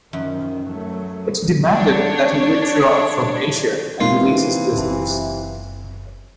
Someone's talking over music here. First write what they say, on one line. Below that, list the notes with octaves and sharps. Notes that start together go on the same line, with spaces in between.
It demanded that he withdraw from Asia and release his prisoners.
F#2 D#3 F3
F#3 A3
D4 C#5
C3 E3 G#3 A#3 C4 D#4 F4 A#4
F#1 A5